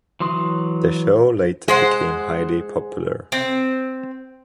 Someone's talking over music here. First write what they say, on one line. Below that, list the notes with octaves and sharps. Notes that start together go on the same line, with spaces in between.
The show later became highly popular.
E3 F#3 C6 D#6
G#3 C5 F#5
C4